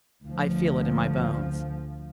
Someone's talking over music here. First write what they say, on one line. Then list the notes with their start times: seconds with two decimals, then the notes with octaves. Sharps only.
"I feel it in my bones."
0.25 D2 F3